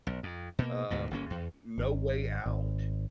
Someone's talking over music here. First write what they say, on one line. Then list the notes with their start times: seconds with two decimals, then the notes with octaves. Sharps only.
Um, No Way Out.
0.07 B1
0.23 F2
0.59 B2 A#3
0.91 D2 G#2 B2
1.11 G1 A#3 C#4
1.30 E2
1.78 G#1
2.46 G#1